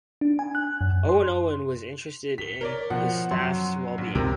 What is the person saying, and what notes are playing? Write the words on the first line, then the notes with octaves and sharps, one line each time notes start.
Owen Owen was interested in his staff's well-being.
D4
G#5
F#6
F#2
C6
B6 G7
A#4 C#5 D5
B2 F3 F#5
F#2 F#3 C6
A#1
C#2 F#2 C3 A#4